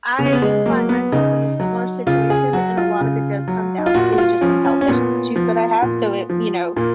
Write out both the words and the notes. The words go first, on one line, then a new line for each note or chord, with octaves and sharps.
I find myself in a similar situation and a lot of it does come down to just some health issues that I have. So, it you know,
C#3 B3
C#4
B3
G#3
F#3 A#3
B3
C#3 D#4
F#3
C#3 F4
G#4
F#3 F#4
F4
C#3
F#3
D#4
F4
A#2 F#4
F#4
F4
F3 C#4
C#4
C#4
A#2 B3
F3
A#2
F3
A#2 A#3